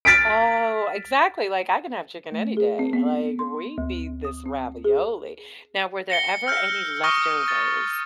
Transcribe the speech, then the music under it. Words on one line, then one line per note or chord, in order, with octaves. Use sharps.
Oh, exactly, like, "I can have chicken any day," like, "We need this ravioli." Now, were there ever any leftovers
F6 A6 B6 D7
A3
G#4
C4
B3
C6
D2
D#6
C4
G#4
A#6 C#7 G7
E6 F6 G6
C#6 D#6 F6 A#6 D#7 G7
A6